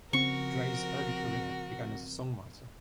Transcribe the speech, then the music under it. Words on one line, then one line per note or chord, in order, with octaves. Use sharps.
Drey's early career began as a songwriter.
C#3 F3 C4 F#4 A#4 C#6